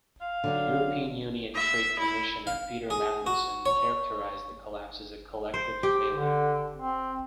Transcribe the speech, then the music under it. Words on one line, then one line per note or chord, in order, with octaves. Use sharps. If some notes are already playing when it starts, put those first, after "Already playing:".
The European Union Trade Commissioner Peter Mandelson characterized the collapse as a "collective failure".
F5
D3 F#3 D4
E5
E4
F5
G#4
F#4
C#5
C5
G4
D3
C4